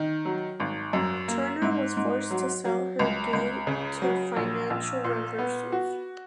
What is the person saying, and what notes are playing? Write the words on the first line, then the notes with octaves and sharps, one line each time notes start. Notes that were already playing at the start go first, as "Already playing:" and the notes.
Turner was forced to sell her due to financial reversals.
Already playing: D#3
F#3
G#1
F#2
A#3
G#2
G#2
F#3
F#3
C#2
C#2
C#3
F#3
A#1
A#1
A#2
B3
F#4